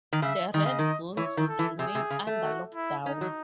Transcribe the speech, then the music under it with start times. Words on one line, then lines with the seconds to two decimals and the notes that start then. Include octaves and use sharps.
The red zones would remain under lockdown.
0.13 D#3
0.22 C#3 E5
0.54 D#3 D#5
0.66 C#3
0.79 D#3
1.16 E3 C#5
1.37 D#3
1.48 A4
1.59 E3
1.79 C3 G#4
1.95 C3
2.10 C#3
2.27 A3
2.42 F#4
2.74 E4
3.06 C#4 D#4
3.21 F#3